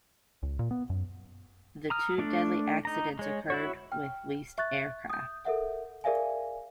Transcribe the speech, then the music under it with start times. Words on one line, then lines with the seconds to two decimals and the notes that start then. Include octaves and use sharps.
The two deadly accidents occurred with leased aircraft.
0.43 C#2
0.59 A#2
0.71 B3
0.90 F#2
1.90 A#5 D#6 F6
2.18 A3 D4 D5
2.85 D#4 A#5
3.19 G#3 C#5
3.50 E4 F#4 C#5
3.92 G5 F6
4.58 E5 C#6 F#6 A6
5.10 D#6 G6
5.45 A4 A#4 E5 F#5
6.04 G#4 A#4 D5 E5 F5 G#5